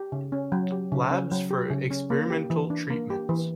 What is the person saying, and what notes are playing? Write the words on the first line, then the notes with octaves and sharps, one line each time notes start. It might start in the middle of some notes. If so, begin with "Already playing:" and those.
Labs for experimental treatments.
Already playing: G4
C#3
C#4
F#3
G4
C#3
C#4
F#3
G4
C#3
C#4
A#3
G4
E3
D4
A#3
G4
E3